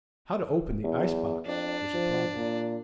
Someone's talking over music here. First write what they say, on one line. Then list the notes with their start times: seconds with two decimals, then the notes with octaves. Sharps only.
How to open the ice-box was a problem.
0.84 E2
1.47 F2 D4
1.94 F3
2.36 A#2